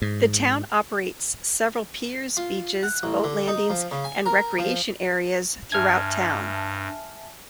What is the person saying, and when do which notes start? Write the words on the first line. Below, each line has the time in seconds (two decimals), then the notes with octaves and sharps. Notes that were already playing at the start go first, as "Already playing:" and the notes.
The town operates several piers, beaches, boat landings and recreation areas throughout town.
0.02 G#2
2.37 F4
2.83 F#5
3.03 A1
3.24 D3
3.48 D#4
3.70 F3
3.91 C#3
4.04 G#5
4.26 A#4
4.59 F3
5.72 G2 E5 G#5 A5 F6 G#6